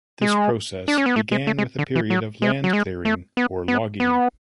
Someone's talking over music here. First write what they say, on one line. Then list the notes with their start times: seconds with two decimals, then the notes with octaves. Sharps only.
This process began with a period of land clearing, or logging.
0.22 G#3
0.88 D4
0.98 C#4
1.06 B3
1.16 A3
1.32 G#3
1.47 A3
1.58 G#3
1.79 D3
1.96 E3
2.10 F#3
2.42 G#3
2.64 F#3
2.73 G#3
3.05 A3
3.37 B3
3.68 B3
4.00 B3